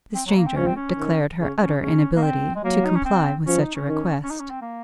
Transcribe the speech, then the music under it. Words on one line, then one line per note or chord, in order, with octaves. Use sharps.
The stranger declared her utter inability to comply with such a request.
C4
F#3
A#3
C4
F3 C#4
C4
C#4
D#3
C#3 C#4
C#4
C#3 C#4
A#3
C4
G#3
F#3 A#3
D#4
C#4
C4
F3 C#4
D#4
C#4
D#3 C#4
C#4
D#4
C#4
C4
A#3